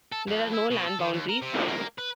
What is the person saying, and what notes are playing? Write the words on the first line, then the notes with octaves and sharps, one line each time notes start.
There are no land boundaries.
A4
F2
E4
B2
A4
D#3
D#2
A#4
C3
A#3
B4